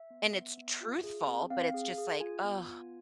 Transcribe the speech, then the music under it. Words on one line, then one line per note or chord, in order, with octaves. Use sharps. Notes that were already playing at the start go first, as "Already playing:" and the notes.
and it's truthful, but it's just like, oh,
Already playing: E5
B3
B3
B3
F4
G#4
C4
C4 F5
G#4
G#4
F4 G#5
B3
F4